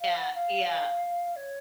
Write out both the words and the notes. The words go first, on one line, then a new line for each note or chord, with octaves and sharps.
Yeah, yeah.
F5
F#5
F5
C#5